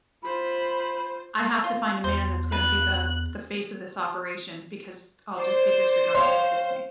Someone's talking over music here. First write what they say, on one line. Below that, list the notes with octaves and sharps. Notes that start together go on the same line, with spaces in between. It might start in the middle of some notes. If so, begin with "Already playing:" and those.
"I have to find a man that's gonna be the the face of this operation, because I'll just be disregarded if it's me."
F4 C5 B5
F4
E2 C5
B4 F#6
C5 D5
C#5 F5 G5 C6